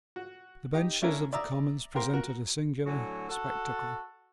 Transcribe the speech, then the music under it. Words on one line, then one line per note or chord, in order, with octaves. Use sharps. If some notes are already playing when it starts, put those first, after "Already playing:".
The benches of the Commons presented a singular spectacle.
F#4
D#4 G4
A3 C#4 D4 E4 A#4
D5 E5 A#5 D#6
C4 G4 A#4 C6
F#4 A#4
A2 D3 F#3 G#5
F#4 A4